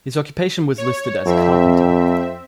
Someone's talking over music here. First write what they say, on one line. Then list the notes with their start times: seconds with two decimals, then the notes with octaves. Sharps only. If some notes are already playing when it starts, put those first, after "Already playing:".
His occupation was listed as carpenter.
0.78 C#5
1.26 F2 C4 E5